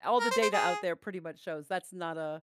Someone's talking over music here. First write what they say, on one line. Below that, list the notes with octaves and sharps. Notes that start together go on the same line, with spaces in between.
all the data out there pretty much shows, that's not a
A#4
C5
C5
G#4